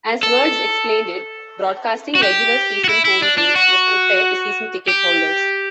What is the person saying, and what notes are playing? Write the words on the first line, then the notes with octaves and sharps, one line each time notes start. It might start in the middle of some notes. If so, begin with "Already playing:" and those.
As Wirtz explained it, broadcasting regular-season home games was unfair to season-ticket holders.
A4
F#4
G4
F#4
E4
E4
D4
D4
F#4
G4